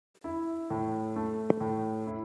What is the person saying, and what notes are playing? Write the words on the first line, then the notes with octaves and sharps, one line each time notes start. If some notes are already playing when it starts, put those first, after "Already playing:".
Ford introduced flexibility into mass production, so that Fordism could continue to evolve.
E4
A2
A3
A2
E4